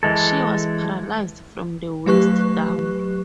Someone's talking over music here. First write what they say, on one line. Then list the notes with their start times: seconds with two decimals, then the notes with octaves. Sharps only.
She was paralyzed from the waist down.
0.03 E3 G#3 A4
2.06 F#3 A3 G4 B4 C#6 F#6